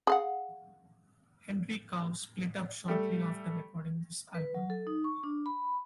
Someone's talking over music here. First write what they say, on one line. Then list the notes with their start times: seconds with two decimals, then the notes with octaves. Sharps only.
Henry Cow split up shortly after recording this album.
0.07 G#4 F5 F#5
2.88 G3 A3 A4
4.35 B4
4.54 F#3
4.70 A4
4.87 D#4
5.04 C#6
5.23 D4
5.46 B5